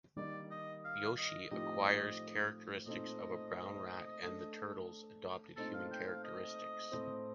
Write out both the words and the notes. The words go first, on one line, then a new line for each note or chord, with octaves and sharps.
Yoshi acquires characteristics of a brown rat and the turtles adopt human characteristics.
D#3 G3 A#3 D#4 D5
D#5
F5
D#5
A2 F3 C4 D#4 G4 D#5
A#2 A3 C4 D#4 D#5
A3 D4 A4
A#2 A3 C4 D#4 A4
F5
G5
F5
D#5
A2 A3 C4